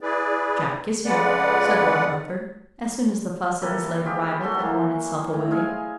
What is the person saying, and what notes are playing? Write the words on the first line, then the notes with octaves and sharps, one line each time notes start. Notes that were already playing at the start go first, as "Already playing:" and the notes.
"Jack is here," said Lord Rufford, as soon as the fuss of his late arrival had worn itself away.
E4 G#4 B4 D5
F2 C#3 G#3 B4 D5 F#5
C3 A#3 A4 B4
G#3 F4 G4
F#4 A4 C5 C6
E3 F#3 A#3
A2
G#3 F5 G#5